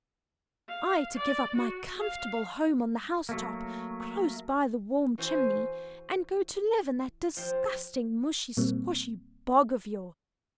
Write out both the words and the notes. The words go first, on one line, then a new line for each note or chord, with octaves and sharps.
I to give up my comfortable home on the house-top, close by the warm chimney, and go to live in that disgusting mushy-squshy bog of yours!
F5
D5
F#4
F5
F#3 A3 A#3
E3 F#4 C5 G#5
F3 F5 G5 C6
A#2 G3 A#3 C4